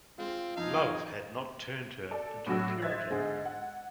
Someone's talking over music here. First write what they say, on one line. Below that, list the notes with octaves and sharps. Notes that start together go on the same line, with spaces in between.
Love had not turned her into a Puritan.
G#3 C4 F4
F2 D#4 F5 G#5 A5 E6
A4 D5
A2 F#3 D4 F#4 E6
C5 D#5 E5 F#6 G#6 A6
G#2 D3 G#3
F#5